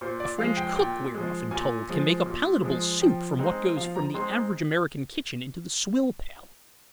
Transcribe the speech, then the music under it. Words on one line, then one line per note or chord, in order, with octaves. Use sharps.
A French cook, we are often told, can make a palatable soup from what goes from the average American kitchen into the swill-pail.
A#2 C5
D5
F3 G#3 F5
G5
A#2 G5
F3 G#3
A#2 G#5
F3 G#3
A#2
F3 G#3
F3 G5
G#3 C4 D#4
F3 F5
A#5
G#3 C4 D#4 C6